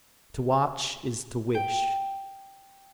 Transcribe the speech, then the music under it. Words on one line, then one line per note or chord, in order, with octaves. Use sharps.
To watch is to wish.
G5